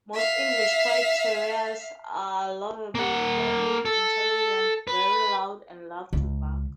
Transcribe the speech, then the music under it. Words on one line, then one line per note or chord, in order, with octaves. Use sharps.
Most English toy terriers are lovable, friendly, intelligent, very loud and love to bark.
E5 F5
A#3 F#5
A4
B4
C#2